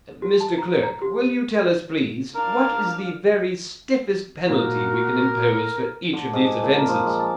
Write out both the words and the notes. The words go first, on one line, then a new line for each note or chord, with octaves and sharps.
Mr. Clerk, will you tell us, please, what is the very stiffest penalty we can impose for each of these offences?
G4
A5
A#5
A#5
G4
D#7
D4 A#4 F5
A#2 F#4 A#4
D3
G#2
D4
A#2
A#4
F3
G#3
A5